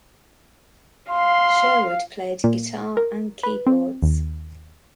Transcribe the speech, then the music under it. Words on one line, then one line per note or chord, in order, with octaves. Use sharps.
Sherwood played guitar and keyboards.
F5 C6
A#2
A#4
B4
C4
D#2